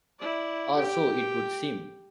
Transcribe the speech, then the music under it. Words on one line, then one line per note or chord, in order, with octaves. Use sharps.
Or so it would seem.
E4 D5
G4 G5